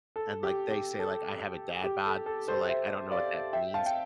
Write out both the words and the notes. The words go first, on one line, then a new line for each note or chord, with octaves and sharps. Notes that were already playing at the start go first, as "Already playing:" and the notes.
and, like, they say, like, I have a dad bod, so, like, I don't know what that means.
A4
G4
G4
A4
G4
A4
A4
A4 C5
C5 E5
D5 F5
E5 G5
F5 A5
G5